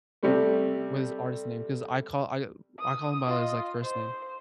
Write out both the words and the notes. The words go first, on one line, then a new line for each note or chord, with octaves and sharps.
with his artist name 'cause I call I I call him by his, like, first name.
C3 G3 A3
D#6
F4 D#5
C5